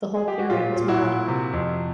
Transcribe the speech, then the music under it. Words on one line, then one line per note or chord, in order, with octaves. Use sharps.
The whole period was mad!
G#4
G4
F#4
A#2 F4
A#2
E4 F#4
A#2
C3
F2